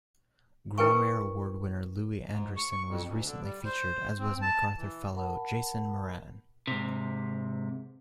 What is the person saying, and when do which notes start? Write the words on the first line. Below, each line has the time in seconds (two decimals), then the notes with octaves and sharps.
Grawemeyer Award winner Louis Andriessen was recently featured as was MacArthur Fellow Jason Moran.
0.78 E4 A#4 B4 G5 G#5 C#6
2.26 G#2
2.57 C#6
2.72 C#6
2.87 F2
3.06 D2
3.24 D3
3.41 G3
3.65 C5
4.19 C4
4.42 A5
4.76 E3
5.15 A#4 F#5 A5 B5
6.67 G#2 C3